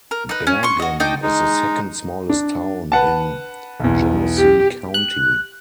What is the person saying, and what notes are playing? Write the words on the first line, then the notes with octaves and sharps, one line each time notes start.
Bergen is the second smallest town in Genesee County.
A#4
D#4 B4
C#4
C6 C#6
F#4 D#5
D4 D#4 D#5 G5
G#3 D#4
D4
B4 F#5 A5
B1 E2
G4
F#6